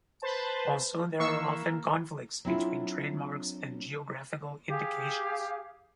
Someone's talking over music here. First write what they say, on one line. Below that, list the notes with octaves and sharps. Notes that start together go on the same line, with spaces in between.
Also, there are often conflicts between trademarks and geographical indications.
B4 C5 A5
E3 A#3 A#4 C#6 E6 C7
F#3 C4 D4 E4 F4 A4
G4 G#4 F5